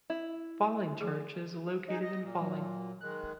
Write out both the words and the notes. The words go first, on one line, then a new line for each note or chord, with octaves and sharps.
Falling Church is located in Falling.
E4
F3 G#4
D#4 G#4 D#5
D#5 A#6
A#2
F#3
D#3 G#3 F#6